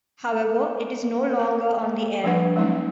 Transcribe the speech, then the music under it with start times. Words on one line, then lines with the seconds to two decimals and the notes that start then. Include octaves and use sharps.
However, it is no longer on the air.
1.39 A#3 A#4
1.83 A#3
2.24 F3 G3 D4 B4 F#5
2.56 F#3 G#3 A#3 C#4 D#4